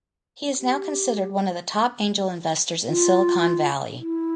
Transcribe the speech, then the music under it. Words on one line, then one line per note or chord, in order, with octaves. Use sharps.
He is now considered one of the top angel investors in Silicon Valley.
G4
F4
E4